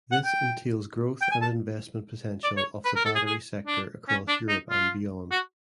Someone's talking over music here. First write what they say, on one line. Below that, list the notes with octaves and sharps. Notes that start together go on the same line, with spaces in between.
This entails growth and investment potential of the battery sector across Europe and beyond.
F#5
G5
G5
G#5
A5
D5
C#5
B4
A#4
A4
G#4
G#4
D4
C#4
D4
D#4
F4
F#4